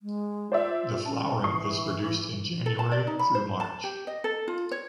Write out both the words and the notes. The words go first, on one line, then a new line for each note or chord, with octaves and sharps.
The flowering is produced in Jan-Mar.
G#3
F4 C5 D5 E5
C#4 A5
E3 C#6 D#6 C7
A4
A5
D5
D#4
B5
C5
A5
G4
D#5
A4
F4
C#5